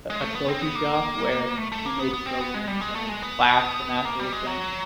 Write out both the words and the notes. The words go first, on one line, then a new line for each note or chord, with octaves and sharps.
a trophy shop where you make trophies and plaques and that sort of thing,
G#3
A3
B3
C4
B3
A#3
A3
A3
A#3
B3
B3
C4
B3
G#3
G3
G#3
A3
G#3
B3
A#3
G3
G#3
F#3